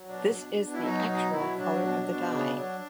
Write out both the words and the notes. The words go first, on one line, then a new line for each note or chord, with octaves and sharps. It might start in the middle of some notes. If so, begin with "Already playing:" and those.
This is the actual color of the dye.
Already playing: F#3
B2 D4
B2
B2
E4
F#3 D#4
B2 D#4
F#3 E4
F#3 D4
B2
B2
C#3
F#3